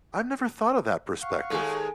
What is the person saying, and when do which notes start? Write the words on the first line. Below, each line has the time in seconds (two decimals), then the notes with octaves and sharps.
I've never thought of that perspective.
1.23 F5 F#5 C#6
1.50 D#2 G#3 A4 G#5